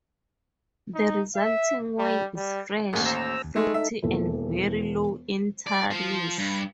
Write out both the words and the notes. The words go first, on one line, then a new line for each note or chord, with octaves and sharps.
The resulting wine is fresh, fruity, and very low in tannins.
D#4
E5
G3
G3
A1 D#2 G#4 A#4
C5 A#5 E6
D#2
G#3 A3 D#4 A4
E5
E1 D#2 E3 A4
D5
F3 C5
G2